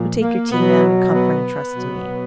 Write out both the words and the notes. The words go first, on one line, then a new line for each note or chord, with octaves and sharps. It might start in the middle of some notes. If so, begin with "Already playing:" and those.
So take your tea, ma'am, in comfort, and trust to me.'
Already playing: A#2 F3
A#3
B2 F#3 B3
B3
B2 F#3